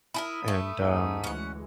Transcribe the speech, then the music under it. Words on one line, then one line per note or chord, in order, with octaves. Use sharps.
and, um,
E4 G#4 A#4 B5 D#6
A3
D#2 G#2
D2 E3 G#3 C#4 F#5